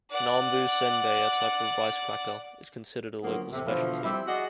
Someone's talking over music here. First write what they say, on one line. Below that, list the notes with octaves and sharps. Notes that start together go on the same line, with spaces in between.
"Nambu Senbei," a type of rice cracker, is considered a local specialty.
D5 F#5
D3 F3 F#3 A#3 B3
E2 A2 C3
B2 D3 E3 F3
G3 C4 E4
F#4 G#4 D5 D#5 F#5